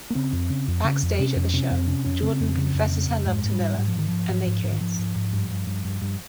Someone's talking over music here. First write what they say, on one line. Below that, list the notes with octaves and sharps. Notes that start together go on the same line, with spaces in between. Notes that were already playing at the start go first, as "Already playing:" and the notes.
Backstage at the show, Jordan confesses her love to Miller and they kiss.
A#3
C#3 C4
F2
C#3
F2
C#3
F2
C3 C#4
F2 C#4
C3 C#4
F2 C4
C3 C#4
F2 C#4
C#3 C4
F2
C#3
F2
C#3
F2
G#2 G#3
G#2
G3
G#2
G#2 G3
F3
G#2 D#3
G#2 F3
G#2
G#2
G#2
D#3
G#2 F3
G#2
G#2
G2
G2
G2
G2
G2